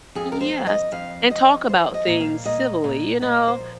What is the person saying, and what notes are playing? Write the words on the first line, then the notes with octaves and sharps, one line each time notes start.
Yes, and talk about things civilly, you know,
F2 G#4
A#4
C5
F2
D#5
F2 F5
F2 D#5
F3 C5
D#5
A#2
F5
A#2 D#5
A#2
A#2 D#5
C5
F3